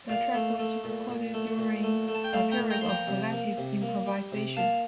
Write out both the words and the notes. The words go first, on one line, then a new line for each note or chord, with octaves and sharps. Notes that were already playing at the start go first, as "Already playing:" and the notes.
The track was recorded during a period of collective improvisation.
A#2 D5 F5
A3
A3
A#2
A#2
A3
A#2
A3
A3
A5
G5
A3 D5 F5
G5 A#5
A#2
G5 A#5
F3 C6
G5 A#5
C3
A#3
C3
A#3
G3
C3
A#3 F5 A5